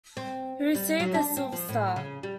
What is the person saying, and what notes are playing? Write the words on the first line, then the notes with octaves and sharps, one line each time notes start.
He received the Silver Star.
C4
G3
F#3
D4
C4
F3
A2
C#3
G3